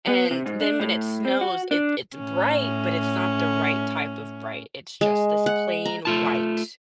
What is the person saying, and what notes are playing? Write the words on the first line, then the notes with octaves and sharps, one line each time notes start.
And then when it snows, it it's bright, but it's not the right type of bright. It's just this plain white.
B3
C3
G#2
D4
A2
C4
F#4
D4
A2 C#4
G#3
F#5
A#5
A3 F4 A5